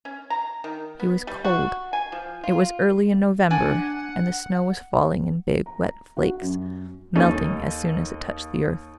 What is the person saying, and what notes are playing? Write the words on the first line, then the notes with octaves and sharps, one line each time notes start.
He was cold, it was early in November, and the snow was falling in big wet flakes, melting as soon as it touched the earth.
C#4
A#5
D#3
B3
G3
F#4
G#5
F3
F4
D4 F#5 G#5
A#5
F#4
F#2
D#2 C#4 D#4 A4